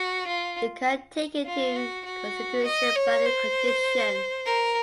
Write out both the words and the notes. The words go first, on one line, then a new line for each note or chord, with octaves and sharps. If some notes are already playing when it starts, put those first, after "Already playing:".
It can take into consideration boundary conditions.
Already playing: F#4
F4
F4
F#4
F#4
D#5
C#5
C5
A#4